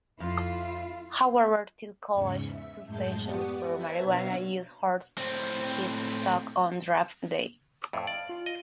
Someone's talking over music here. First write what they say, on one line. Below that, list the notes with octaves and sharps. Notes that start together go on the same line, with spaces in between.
However, two college suspensions for marijuana use hurt his stock on draft day.
F2 E4 F4
E2 G#2 C#3 C#7
E5
F#2 A2 G#3 A5 G6 A6
B3 G4 D5 F#5 C#6 D#6
B4 C5 E5 A5 G#6
B2 D4 C#5 E5 F5 A#5
A2 C4
F2 A2 E5
D5 F5
F4
D#5